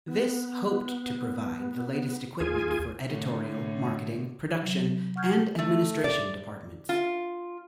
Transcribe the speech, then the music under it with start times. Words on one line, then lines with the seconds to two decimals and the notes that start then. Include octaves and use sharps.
This hoped to provide the latest equipment for editorial, marketing, production and administration departments.
0.08 B3
2.40 D#2 F4 G#4 G#5
3.09 A2 D3
4.61 C3 F#3
5.16 F#5 C#6 F6 G6 G#6
5.59 A3
6.04 D5
6.89 F4